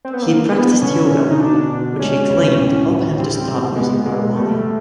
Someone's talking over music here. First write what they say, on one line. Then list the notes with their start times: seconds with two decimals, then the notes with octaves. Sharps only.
He practiced yoga, which, he claimed, helped him to stop using marijuana.
0.05 C4
0.14 B3
0.22 A#3 D4
0.52 B3 D4
0.82 D3 C#4
1.11 D3
1.30 D#4
1.41 B2 D4
1.70 B2
1.99 G#3 C#4
2.30 D2
2.58 A2
2.88 A2
3.17 G3 C4
3.47 G3
3.76 G#3 B3
4.06 G#3
4.36 G3 A3